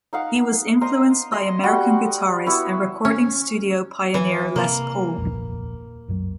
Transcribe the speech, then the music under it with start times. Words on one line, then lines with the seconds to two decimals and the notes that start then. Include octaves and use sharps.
He was influenced by American guitarist and recording studio pioneer Les Paul.
0.13 D#4 F5 F#5
0.81 A#4 C5 D#5 A#5
1.32 D#5 C6
1.63 G3 F#4 F#5 G5
2.46 B3 E4 F#4 B4
3.05 C#4
4.14 E3
4.56 C3 A#3
5.18 D#1 A#1 F2
6.08 C2 F#2 F#3